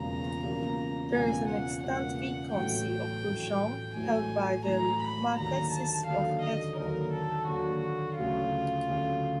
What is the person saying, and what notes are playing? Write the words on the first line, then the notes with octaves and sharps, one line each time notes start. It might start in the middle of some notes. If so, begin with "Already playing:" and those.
There is an extant Viscountcy of Beauchamp, held by the Marquesses of Hertford.
Already playing: E1 E2 C#3 F3 A#3 A#5
E1 E2 C#3 F3 A#3
E1 E2 C#3 F3 A#3 G#5
F#5
E1 E2 C#3 F3 A#3 F#5
F#5
A1 A2 F#3 A3 G5
A1 A2 F#3 A3
A1 A2 F#3 A3 G#5
A1 A2 F#3 A3 A#5
B5
D#2 D3 F#3 A#5
A5
D#2 D3 F#3 F5
D#5
D#2 D3 F#3 A#4
A4
D#2 D3 F#3 F#4
D2 C#3 F#3 A3 F4
D2 C#3 F#3 A3